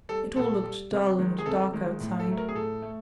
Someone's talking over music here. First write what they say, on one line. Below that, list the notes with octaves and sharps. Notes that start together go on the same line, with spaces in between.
It all looked dull and dark outside.
G3 A4
A#2 A4
G3
C3
D#3 G#3
G#4
C3 A4
D#3 G#3
A2
A4
F#3 A3
A#4
G#4
A2 A4
A3